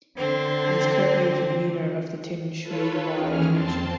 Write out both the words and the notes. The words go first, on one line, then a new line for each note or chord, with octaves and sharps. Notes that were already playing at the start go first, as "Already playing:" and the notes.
He is currently convenor of the Tin Shui Wai Connection.
D3 C4
F4 A4 B4 C#5
D#2 E3 C#4 G#4 F6
F2 C4 C5 A5